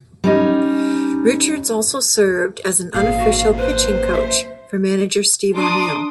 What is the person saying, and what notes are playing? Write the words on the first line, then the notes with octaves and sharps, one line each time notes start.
Richards also served as an unofficial pitching coach for manager Steve O'Neill.
G3 C#4 D#4
G#1 A#2 G#4 F5
F#4
B4 C5
E5
D4 A#5 C6 D6 D#6